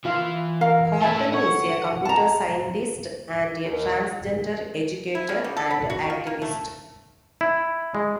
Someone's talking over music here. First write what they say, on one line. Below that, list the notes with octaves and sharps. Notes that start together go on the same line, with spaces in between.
Horton is a computer scientist and a transgender educator and activist.
E3 F4 F5
A#4 F5
A3 E4 E5 G#5 A5
A4 C#5 F#5
A5 A#5
D#2
E4
C#3
G3
A4
B5
F#4
F4
A#3
A3
E4
G#3